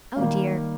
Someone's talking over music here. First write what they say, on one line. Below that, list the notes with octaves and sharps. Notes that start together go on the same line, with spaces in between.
Oh dear!
D#3 G3 A#3 F5